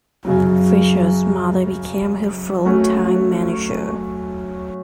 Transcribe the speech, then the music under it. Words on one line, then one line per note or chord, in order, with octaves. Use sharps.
Fishel's mother became her full-time manager.
F#2 C#3 F#3
F#3 A3 C#4 F#4